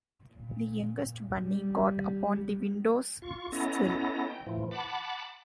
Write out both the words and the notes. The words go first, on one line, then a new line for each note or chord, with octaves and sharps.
The youngest bunny got upon the window-sill.
A#2
G3
F4 C#6
B3 C#4 E4 A4 D#5 A#5
G5
A2 E3 F3
F#5 A5 B5 D6